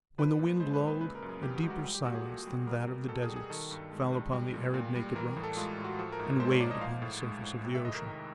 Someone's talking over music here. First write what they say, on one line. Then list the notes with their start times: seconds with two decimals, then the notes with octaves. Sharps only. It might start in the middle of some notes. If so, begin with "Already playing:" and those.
When the wind lulled, a deeper silence than that of the deserts fell upon the arid, naked rocks, and weighed upon the surface of the ocean.
0.18 F3 B4
0.39 A#2
0.60 G#3 C5
0.74 B4
0.80 A#2
0.87 B4
1.01 C#3 B4
1.15 A#4
1.22 F#2
1.29 G#4
1.43 E3 G4
1.56 F#4
1.63 G#3
1.70 F#4
1.85 G3
1.95 G4
2.05 A#2 F#4
2.15 G#4
2.25 A#2 A4
2.47 G3
2.67 G3 A#4
2.87 B2
3.08 B2 A4
3.23 G#4
3.29 G3
3.36 G#4
3.50 D#3 A4
3.71 G2
3.92 G#3
4.12 G2
4.33 G3
4.54 A#2
4.74 A#2
4.96 G3
5.15 E3 A#4
5.30 A#4
5.37 A2
5.44 A4
5.57 G#3 F4
5.78 A2
5.84 F#4
5.99 F3 A4
6.12 A#4
6.19 G#2
6.40 G#3 C5
6.51 C#5
6.60 G#2 D5
6.71 D#5
6.81 F3 F5
7.02 A2
7.23 G#3
7.44 A2
7.65 C3
7.75 E5
7.85 F2 D#5
7.95 A#4
8.05 D#3